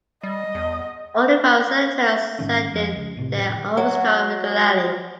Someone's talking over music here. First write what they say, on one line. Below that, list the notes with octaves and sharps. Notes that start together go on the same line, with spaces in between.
All involved Senators, ended their office time regularly.
G3 D#5
E2
G1 G#2 D#3 C#4
F2
C#2
A2 C3
F1 A2 D3
F#3